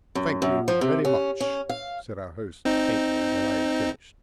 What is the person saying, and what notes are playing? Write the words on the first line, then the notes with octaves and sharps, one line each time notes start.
"Thank you very much," said our host faintly when I had finished.
F#2
F#2
F3
C3
C#4
C#4
F5
C4 D#4